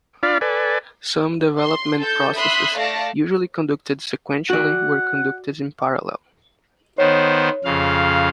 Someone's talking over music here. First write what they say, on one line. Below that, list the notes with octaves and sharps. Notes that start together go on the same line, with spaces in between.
Some development processes usually conducted sequentially were conducted in parallel.
D4 F4 D5 F5 B5
A4 B4 D5 G#5
C6
A4 G6
E5 B5 C6 D#6 F#6
A3 D5 F5 A5 A#6
F#4 D5 F#5
D#3 B3 C5 C#5
F2 C#3 F5